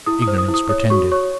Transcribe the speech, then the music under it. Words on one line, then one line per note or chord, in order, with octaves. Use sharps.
Ignorance pretended.
E4 D#6
D#6
C5
D#6
E4
D#6
C#5 D#6
F#4 C#6
C#5 C#6